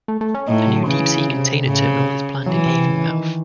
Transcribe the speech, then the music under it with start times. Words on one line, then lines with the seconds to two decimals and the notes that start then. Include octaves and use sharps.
A new deepsea container terminal is planned in Avonmouth.
0.08 A3
0.21 A3
0.34 C#4
0.48 A2 D#4
0.68 F#3
0.87 C#3 E3
1.28 C3
1.67 A2 C#3
1.87 C3
2.46 E3 F#3
2.66 C3
2.86 C#3
3.06 D#3